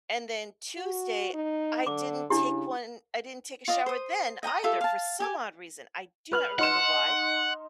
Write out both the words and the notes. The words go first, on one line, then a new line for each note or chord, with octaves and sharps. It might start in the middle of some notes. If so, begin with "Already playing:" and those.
and then Tuesday, I didn't take one I didn't take a shower then either for some odd reason, I do not remember why.
F#4
D#4
D3 D6
C#3 D4 E4 G4
F4 D5 D#5
C5 D#6
D#5 G5 A#5 D#6
F4 G4 A4 E5
F5 A5
G4 G#5 D6
B4 F6 F#7
D#4 F#5 C6 E7